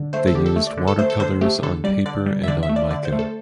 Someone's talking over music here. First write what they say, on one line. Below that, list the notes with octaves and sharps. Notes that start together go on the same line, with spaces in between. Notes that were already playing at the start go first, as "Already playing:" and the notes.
They used watercolours on paper and on mica.
Already playing: D3
A3 C5
A4
D3 G4
A4
A3
D5
D3
A4
A3 C5
A4
D3 C5
A3 G4
D3 A4
G3 D5
D3 D5
G3
E5
D3 D5
E5
A3
D5
D3 D5
C5
A3
A4